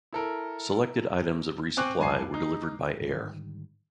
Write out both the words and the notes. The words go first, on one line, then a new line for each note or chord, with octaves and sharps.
Selected items of resupply were delivered by air.
E4 A4 A#4
C4 G#5 C#6 D6 F#6
F1 G2 G#5 A5 C7
D#4
G#2 D3 D#3 G3